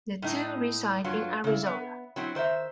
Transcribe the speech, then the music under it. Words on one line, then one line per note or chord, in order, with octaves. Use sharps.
The two reside in Arizona.
A2 D#4
G2 F#3 F4
C#3 E4
B3
F#3 C4 E4
D#3 C5 D5 E5